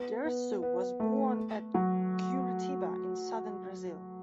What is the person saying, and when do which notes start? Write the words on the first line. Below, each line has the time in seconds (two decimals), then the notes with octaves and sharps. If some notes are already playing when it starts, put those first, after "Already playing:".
Dirceu was born at Curitiba, in southern Brazil.
Already playing: B3
0.25 B3
0.62 B3
1.00 A3
1.74 F#3